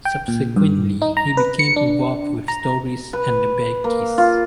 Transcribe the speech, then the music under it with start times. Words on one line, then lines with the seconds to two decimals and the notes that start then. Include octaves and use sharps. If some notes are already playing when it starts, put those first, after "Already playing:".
Subsequently, he became involved with Stories and The Beckies.
0.05 G5
0.28 A#2
0.56 G2
1.02 D#4
1.17 A#5
1.37 B4
1.59 C#7
1.76 D4
2.48 A#5
3.13 B4
3.84 A#3
4.18 F4